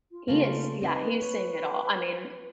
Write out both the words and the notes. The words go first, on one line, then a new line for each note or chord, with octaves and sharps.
He is, yeah, he's seeing it all, I mean,
F4
C#3 A3 A#3 F4
C4 D#4 B4 D#5
C#5